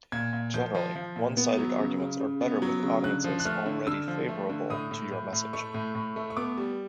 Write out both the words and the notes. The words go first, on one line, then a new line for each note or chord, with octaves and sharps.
Generally, one-sided arguments are better with audiences already favorable to your message.
A#2 G#6
A#2
F3 G6
F3
F3
A#2
B3
F#3
C#3
C#3
C#3
B3
F#3
C#3
D3 F#6
F3
F#6
A3 F6
D3
D3 E6
F3
A3
D3
A2 D#6
A2
A2
A2
A3 C#6
A2
A2
A3
C#6
B3 D6
G3